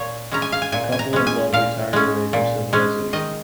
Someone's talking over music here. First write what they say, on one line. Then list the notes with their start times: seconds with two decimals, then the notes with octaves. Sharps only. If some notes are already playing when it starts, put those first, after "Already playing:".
A couple in love retire away from civilization.
Already playing: A#2 C#5
0.32 G#3 C#4 A#5
0.42 G#5
0.52 F5
0.62 G#5
0.72 A#2 G#5
0.92 G#5
0.99 A#5
1.13 G#3 C#4
1.27 G#5
1.53 A#2 F5
1.93 G#3 C#4
2.33 A#2
2.73 G#3 C#4
3.13 D#3 D#5